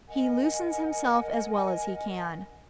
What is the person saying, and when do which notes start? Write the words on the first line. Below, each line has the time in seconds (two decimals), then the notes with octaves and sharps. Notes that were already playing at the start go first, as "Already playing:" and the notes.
He loosens himself as well as he can.
0.07 A#4 D#5 F#5 G#5